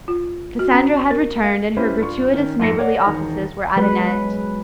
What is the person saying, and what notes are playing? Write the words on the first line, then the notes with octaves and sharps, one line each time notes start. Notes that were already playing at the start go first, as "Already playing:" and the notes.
Cassandra had returned, and her gratuitous neighborly offices were at an end.
F4
F#4
C#4
C#6
A#4
F5
C#4 E4 G4 B4 C5
G2 F4 C#6
D#3 C#4
F2 G#2 A4 A#6 C7 C#7
C#5 D5 F#5
E1 D#3
F#3 G#3 B4